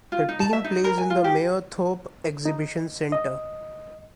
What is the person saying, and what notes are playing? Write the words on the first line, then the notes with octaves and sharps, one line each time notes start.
The team plays in the Mayerthorpe Exhibition Centre.
F4
D#4
A5
E5
D#4
A#4
G#5
F4
G4
D#4
D#5